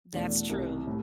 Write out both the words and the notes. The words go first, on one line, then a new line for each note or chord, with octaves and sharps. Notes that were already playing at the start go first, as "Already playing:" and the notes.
That's true.
E2 B2 A3 D4
C2 C3 G3
A2